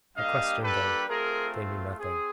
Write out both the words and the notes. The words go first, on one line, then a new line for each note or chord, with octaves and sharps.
I questioned them. They knew nothing.
G3 A#3 D4 G4 D#5 F5
A4 B4
A3 C4 F4 G#4 A#4
C4 G#4